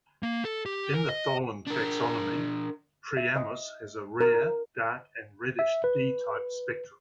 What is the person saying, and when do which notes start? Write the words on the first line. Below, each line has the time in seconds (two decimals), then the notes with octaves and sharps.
In the Tholen taxonomy, "Priamus" has a rare, dark and reddish D-type spectrum.
0.23 A#3
0.45 A4
0.66 G4
0.94 A#4
1.09 D#5
1.67 D4 A#4
3.17 E5
3.36 D#5
4.20 A#4
5.59 E5
5.84 B4